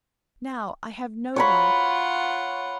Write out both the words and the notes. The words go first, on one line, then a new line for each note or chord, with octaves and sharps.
Now I have no one.
F4 C#5 F#5 A#5 B5